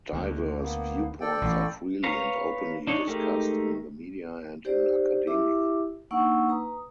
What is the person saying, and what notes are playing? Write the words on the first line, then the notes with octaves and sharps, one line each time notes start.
Diverse viewpoints are freely and openly discussed in the media and in academia.
D2
A#3 B3
A4 D5 G5
A1
B4 C#5 F5 A#5
D4 D#4 C#5
G#3 A3 D#4 G4 A#4
D#4 G4 C5 D5
E4 G4 E5 D6
A#3 D4 D#4 F#5 C#6 E6
B4 A#5 D#6